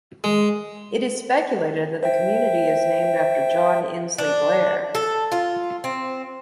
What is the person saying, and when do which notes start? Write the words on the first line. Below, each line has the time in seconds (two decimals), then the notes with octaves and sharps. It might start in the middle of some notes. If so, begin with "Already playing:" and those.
It is speculated that the community is named after John Insley Blair.
0.24 G#3
2.03 C5 E5 G5
4.18 D4
4.95 A4
5.32 F4
5.84 C4